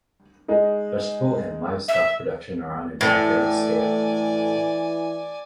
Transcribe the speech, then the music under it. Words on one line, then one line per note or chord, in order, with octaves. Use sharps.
Vegetable and livestock production are on a backyard scale.
G#3 D#4
E5
A2 E3 D5 G#5